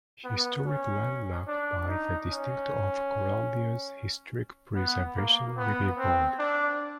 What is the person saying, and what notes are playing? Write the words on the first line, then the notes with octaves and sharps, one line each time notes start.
Historic Landmark by the District of Columbia's Historic Preservation Review Board.
B3
C#4
D4
D#4
C#4
B3
A#3
B3
C4
D4